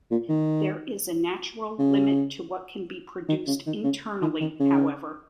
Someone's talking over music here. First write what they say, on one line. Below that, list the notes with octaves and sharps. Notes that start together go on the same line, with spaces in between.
There is a natural limit to what can be produced internally, however.
A#2
D#3
C#3
D#3
C#3
D#3
C#3
D#3
D#3
C#3